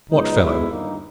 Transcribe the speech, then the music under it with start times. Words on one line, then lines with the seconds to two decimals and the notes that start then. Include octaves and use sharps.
"What fellow?"
0.10 C#2 B2 G#3 B3 D#4
0.39 B1 B2 G#3 B3 E4
0.67 G1 G2 D#3 A#3 D#4